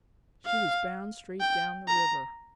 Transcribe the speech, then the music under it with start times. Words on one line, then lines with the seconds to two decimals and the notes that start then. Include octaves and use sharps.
"She was bound straight down the river."
0.46 F5
1.41 G5
1.88 A#5